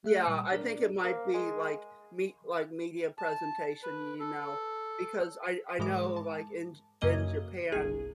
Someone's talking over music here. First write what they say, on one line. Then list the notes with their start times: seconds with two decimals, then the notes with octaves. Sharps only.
Yeah, I think it might be like me like media presentation, you know, because I I know like in in Japan,
0.04 A3 E5 F#6
0.27 A#2 G3
0.52 D4 A#4 D5
1.03 A#3 C5
1.34 G#3 G#5
3.18 A5
3.83 B4
4.20 A4
5.79 G#2 E3 G#3 A#4 D6
6.16 A5
7.01 F#2 C#3 A#3 D#5 G#6
7.72 G1 C2 G#4